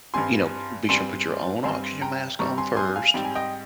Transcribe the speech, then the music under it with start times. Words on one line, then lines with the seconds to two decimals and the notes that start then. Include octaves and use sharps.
you know, "Be sure to put your own oxygen mask on first,
0.14 G2 G3 C4 G#5 C6
0.89 G2 G3 C4 G#5 C6
1.64 G2 G3 C4 G#5 C6
2.02 G5 A#5
2.39 G2 G3 C4 A#5 C#6
2.58 G#5 C6
2.77 G#5 C6
2.96 F5 G#5
3.14 G#2 G3 C4 G5
3.25 G#5
3.35 D#5 G5